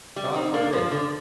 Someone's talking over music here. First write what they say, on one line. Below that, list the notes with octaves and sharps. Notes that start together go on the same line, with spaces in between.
God forbid.
G3
C4 D#4
A#3 D4
F3
D3